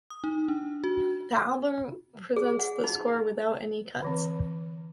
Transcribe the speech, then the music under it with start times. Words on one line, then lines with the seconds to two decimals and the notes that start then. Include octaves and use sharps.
The album presents the score without any cuts.
0.10 D#6
0.24 D#4
0.48 D4
0.84 F#4
2.36 G#4
2.59 F#5
2.84 D#4
4.02 D3 E3 C4